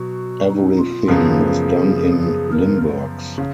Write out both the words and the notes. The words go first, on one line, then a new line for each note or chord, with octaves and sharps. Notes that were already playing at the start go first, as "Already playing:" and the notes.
Everything was done in Limburgs.
Already playing: B2 F#3 F#4
D#4
F4
F#2 C#3 F3 B3 G#4
G#4
A#4
C#3